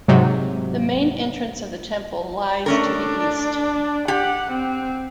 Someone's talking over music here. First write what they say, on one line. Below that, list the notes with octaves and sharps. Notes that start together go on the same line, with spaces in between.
The main entrance of the temple lies to the east.
G#2 C3 F#3
A3 C#4 D4 A#4
G4 F#5
C4